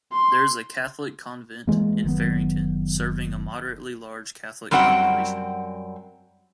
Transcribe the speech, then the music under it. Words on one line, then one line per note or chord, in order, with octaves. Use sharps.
There is a Catholic convent in Farington, serving a moderately large Catholic population.
C6
E3 F#3 G#3 A#3
F#1 D#3 F#3 B3
F#2 G3 C4 F#4 F#5 G5